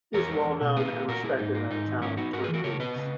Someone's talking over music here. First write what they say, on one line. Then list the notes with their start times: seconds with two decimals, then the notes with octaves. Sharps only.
He is well-known and respected in the town of Twin Peaks.
0.14 E2 A#4 C#5
0.30 G#3
0.45 E2
0.61 B2
0.77 A#3 G#4 B4
0.93 A#2
1.08 A#2 F#4 A#4
1.24 A#3 E4 G#4
1.39 G#2 D#4
1.55 A#3
1.70 G#2 D#4
1.86 D#3
2.01 G#2 C#4 E4
2.17 B3 D#4 F#4
2.33 G#2 F#4 A#4
2.44 G#4 B4
2.48 E3
2.54 F#4 A#4
2.64 C#3 A#4 C#5
2.80 B3 B4 D#5
2.95 C#3